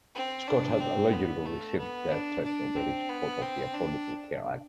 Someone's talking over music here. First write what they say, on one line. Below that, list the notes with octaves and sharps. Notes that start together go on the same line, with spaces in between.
Scott has allegedly received death threats over his support of the Affordable Care Act.
C4
D4
C4
B3
A3
B3
D4
D4
C4
B3
C4
D4